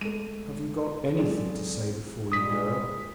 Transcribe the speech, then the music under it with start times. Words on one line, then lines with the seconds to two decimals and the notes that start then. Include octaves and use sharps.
"Have you got anything to say before you go?"
0.01 G#3 A3 D#7
1.19 F#3 G#3 C4 A4 D5
2.32 A#2 G3 G#3 D#6 B6